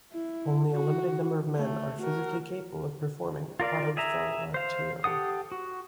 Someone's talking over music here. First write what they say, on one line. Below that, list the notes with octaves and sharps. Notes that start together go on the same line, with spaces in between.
Only a limited number of men are physically capable of performing autofellatio.
E4
F#4
A3
F#4 A#4
F4 A#4 D5 F5
G#4 E5 A#5
C5 F5
G4 A4 F#5 D#6
F#4